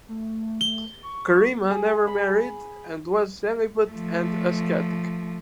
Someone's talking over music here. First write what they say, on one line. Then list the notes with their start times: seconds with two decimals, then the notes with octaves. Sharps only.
Karima never married and was celibate and ascetic.
0.09 A3
0.61 G7
1.03 C#6
1.71 G#4
2.07 B5
3.90 F3 A3